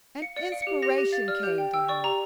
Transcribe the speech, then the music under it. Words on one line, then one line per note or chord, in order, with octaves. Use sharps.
An inspiration came to her.
F5 C#7
D5 C#7
F5 D7
C#7
G4
G4 A#6
G4
F5 A6
D5 F6
G4 G6
G5
G5 E6
D5 C#6
G4 A#5